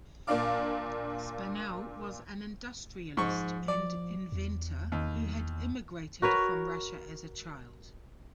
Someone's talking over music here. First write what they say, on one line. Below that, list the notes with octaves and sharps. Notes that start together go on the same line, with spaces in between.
Spanel was an industrialist and inventor who had immigrated from Russia as a child.
A#2 A#3 D4 D5 F5 D6
G#2 F3 C#6
D5
E2
D#2
F#4 A#4 B4 C#5